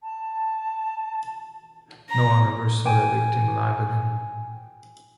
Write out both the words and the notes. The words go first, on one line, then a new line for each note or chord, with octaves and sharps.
No one ever saw the victim alive again.
A5
A#5
G5 G#5